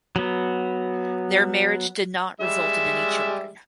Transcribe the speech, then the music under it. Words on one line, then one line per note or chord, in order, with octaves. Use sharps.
Their marriage did not result in any children.
F#3 B3
G3 G#3 E5